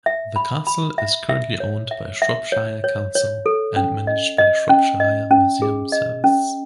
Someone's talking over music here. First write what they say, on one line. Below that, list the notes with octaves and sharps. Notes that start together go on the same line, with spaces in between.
The castle is currently owned by Shropshire Council, and managed by Shropshire Museum Service.
E5
B5
B5
E5
E5
C#5
E5
E5
C#5
C#5
C#5
A4
C#4
D#5
D#5
C#4
D#5
C#4
G#4
D#5
C#4